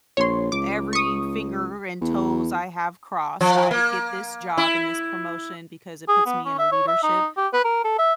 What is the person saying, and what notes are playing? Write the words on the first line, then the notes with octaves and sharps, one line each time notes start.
th every finger and toes I have crossed, I get this job and this promotion, because it puts me in a leadership,
A#1 C#5 C6
C#2 D6
C#6 D#6
E2
F3
A#3
E4
G#4
B3
C#4
E5
C#5
E5
D#4
G4
B4
A#4
A4
E5